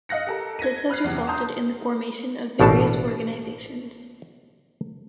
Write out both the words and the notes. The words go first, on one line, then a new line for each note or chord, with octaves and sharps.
This has resulted in the formation of various organizations.
D#5 F5 F#6 A#6 C#7
G4 A4 A#4
G#6 A#6 B6 D#7
B5 F6 F#6 C7
E2 C3
A5 A#5 C6 D#6 G6
A1 B2 D4 A4 A5